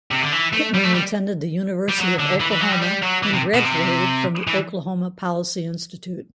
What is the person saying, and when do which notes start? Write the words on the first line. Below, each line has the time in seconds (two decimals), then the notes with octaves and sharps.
Pittman attended the University of Oklahoma and graduated from the Oklahoma Policy Institute.
0.11 C3
0.22 D3
0.33 E3
0.53 A3
0.74 G3
0.84 A3
0.95 G3
1.89 G3
1.98 F#3
2.19 D3
2.40 E3
2.51 E3
2.61 F#3
2.71 G3
2.81 G3
3.02 F#3
3.23 E3
3.33 C3
3.54 B2
3.64 C3
4.47 E3